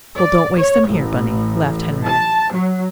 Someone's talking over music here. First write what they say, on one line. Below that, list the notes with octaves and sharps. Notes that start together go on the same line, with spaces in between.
"Well, don't waste them here, Bunny," laughed Henriette.
D5
C#5
A1
A5
F#3